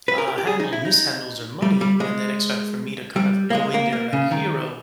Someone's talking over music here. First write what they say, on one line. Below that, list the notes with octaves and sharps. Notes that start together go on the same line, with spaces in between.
uh, handle mishandles their money and then expect for me to kind of go in there, like, hero
B4
A#4
G4
G4
G#4
D#4
E4
D#4
G3
G3
G#3
G3
A#3
G#3
A#3
A#3
C#3
D#3